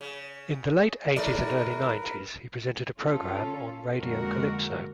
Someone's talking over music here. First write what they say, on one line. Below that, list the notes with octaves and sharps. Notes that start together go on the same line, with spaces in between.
In the late eighties and early nineties he presented a program on Radio Calypso.
C#3
D#2 G#3 A#4 B4 D5
C#4 F4 A4
F2 D3 G#3 A#3 F#4 A#4